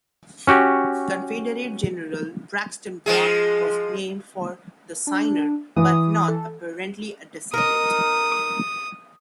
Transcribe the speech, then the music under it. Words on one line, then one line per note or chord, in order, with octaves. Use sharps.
Confederate General Braxton Bragg was named for the signer, but not apparently a descendant.
C#4 F#4 G4
F3 G#3 G#4
D4
E3 D#6
A4
D#4 A#4 D#6